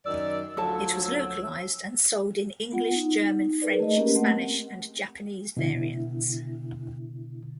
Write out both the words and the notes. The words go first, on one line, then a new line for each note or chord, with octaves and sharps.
It was localized and sold in English, German, French, Spanish and Japanese variants.
F#2 D#3 D5 E6
D2 F3 F#3 A4 A5
B3 F4 F#5
D#4
G#4 A#4 B4 D5
A3 D#5
A#3 C#4 G4 A#4
A3 C4 F#5
B2 D3 E4